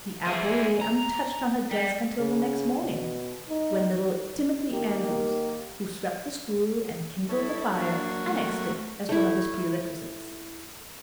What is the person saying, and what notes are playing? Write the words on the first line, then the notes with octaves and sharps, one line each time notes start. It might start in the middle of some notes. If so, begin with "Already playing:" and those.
The apple lay untouched on her desk until the next morning, when little Timothy Andrews, who swept the school and kindled the fire, annexed it as one of his perquisites.
E4 G#4
A#5
G3
C#3
B2
D#4
D#3 A#3 G4
E4 A4 C#5
F#3 A#3 D4 F#4
A3 C4
A3 E4